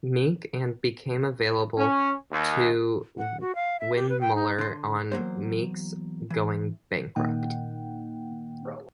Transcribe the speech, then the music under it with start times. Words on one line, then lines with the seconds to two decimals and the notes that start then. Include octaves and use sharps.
Mecke, and became available to Windmuller on Mecke's going bankrupt.
1.77 C#4
2.31 D#2
3.18 F#5
3.40 F#4
3.55 F5
3.80 E5
3.95 G4
4.09 B4
4.21 G5
4.35 D#4
4.59 D3 C6
5.12 E2 F#3 A#3 C5
6.30 E3
7.16 A#2 D#3 A#3 D#4 F#5 G5